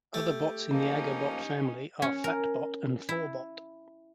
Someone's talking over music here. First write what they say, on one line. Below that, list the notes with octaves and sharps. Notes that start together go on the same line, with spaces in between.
Other bots in the Agobot family are Phatbot and Forbot.
A3 G4
F3 A#3 C#4 D#4
C#4
A#4
E4